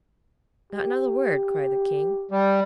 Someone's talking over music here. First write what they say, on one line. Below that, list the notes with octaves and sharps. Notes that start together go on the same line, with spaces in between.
"Not another word!" cried the king.
G4
G3